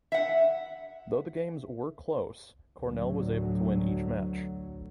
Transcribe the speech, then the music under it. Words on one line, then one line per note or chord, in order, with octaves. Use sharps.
Though the games were close Cornell was able to win each match.
E5 F#5
D2 A2 F#3